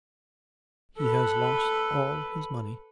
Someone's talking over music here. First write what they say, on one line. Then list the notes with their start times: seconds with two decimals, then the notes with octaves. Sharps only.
He has lost all his money....
0.98 A4 B4